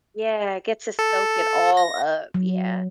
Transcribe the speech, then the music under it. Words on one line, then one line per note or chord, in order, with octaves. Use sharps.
Yeah, get to soak it all up. Yeah.
A4
A#6
F#3